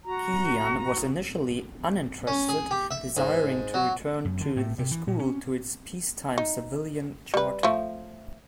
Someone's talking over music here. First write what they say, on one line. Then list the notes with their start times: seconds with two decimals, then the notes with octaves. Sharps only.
Killian was initially uninterested, desiring to return the school to its peacetime civilian charter.
0.05 F#4 A#5
2.27 C#4
2.49 G#4
2.71 G4
2.91 E5
3.17 G#2
3.74 F#3
4.25 F#2
4.41 D3
4.57 A2
4.79 C3
4.91 E3
5.07 A#2
5.19 C#4
6.38 D#4
7.34 G3 B4
7.63 F3 A3